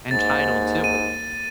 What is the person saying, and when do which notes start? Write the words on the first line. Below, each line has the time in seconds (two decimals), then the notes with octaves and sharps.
entitled to it.
0.11 D#2 G#2 A6
0.84 D#7